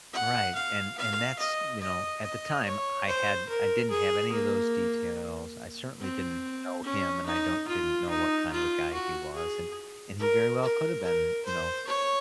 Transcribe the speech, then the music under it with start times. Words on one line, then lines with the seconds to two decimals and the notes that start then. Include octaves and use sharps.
Right, and and that's, you know at the time, I had I didn't have any of those details. I certainly didn't know him, and I don't didn't know what kind of a guy he was. And and he very well could have been, you know,
0.13 F#5
0.55 F5
0.97 F5
1.39 D#5
1.80 D#5
2.23 D#5
2.65 C#5
3.07 C5
3.49 A#4
3.90 G#4
4.32 A#3
6.00 C4
6.84 C#4
7.26 D#4
7.68 F4
8.09 D#4
8.52 F4
8.93 F#4
9.35 G#4
10.19 A#4
10.61 A#4
11.03 A#4
11.45 C5
11.87 C#5